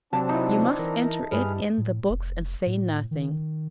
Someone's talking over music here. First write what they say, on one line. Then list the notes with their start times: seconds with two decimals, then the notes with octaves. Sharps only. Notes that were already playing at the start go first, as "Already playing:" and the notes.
You must enter it in the books and say nothing.'
0.13 C3 F#3 C4 D4 A5
0.29 D#4 E4
0.79 E3 A#4
1.32 G2 G#4 B4 F6
1.78 A2
2.09 F1
2.66 A2
3.11 D#3